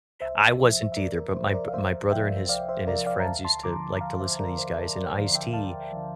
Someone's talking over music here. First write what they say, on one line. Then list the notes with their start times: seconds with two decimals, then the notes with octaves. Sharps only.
I wasn't either, but my b my brother and his and his friends used to like to listen to these guys, and Ice-T
0.21 C2 C5 E5
0.58 C3
0.64 F3
0.92 E5
0.96 C2 A#4 D5
1.16 A#4
1.35 C3 C5
1.40 F3
1.49 C5
1.54 A#4 D5
1.68 F5
1.73 C2 C5 E5
2.11 C3 F3 E5 G5
2.49 C2 D5 F5
2.69 C5 E5
2.87 C3 A#4 D5
2.91 F3
3.06 D5 F5
3.20 A#5
3.25 D2 F5 A5
3.45 A5 C6
3.63 D3 A#5 D6
3.68 F3
4.01 D2 F5 A5
4.20 C5 E5
4.40 D3 F3 A#4 D5
4.58 C5
4.77 D2 A#4
4.97 A#4 D5
5.15 D3 F3 D5 F5
5.35 E5 G5
5.53 D2 F5 A5
5.92 D3 F3